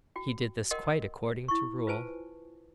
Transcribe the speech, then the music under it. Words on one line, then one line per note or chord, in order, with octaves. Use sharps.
He did this quite according to rule.
F#4 G5
A#4 D#5 F#5 G5 C6 D#6
E4 C#6
F4 B4 C5 G#5 A5